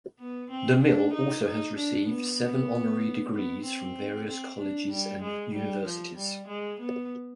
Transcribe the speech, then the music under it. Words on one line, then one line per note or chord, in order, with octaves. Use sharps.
De Mille also has received seven honorary degrees from various colleges and universities.
B3
C4
D4
D#4
D#4
D4
B3
B3
B3
C4
C4
D4
G3
G#3
G3
F3
G3
G#3
B3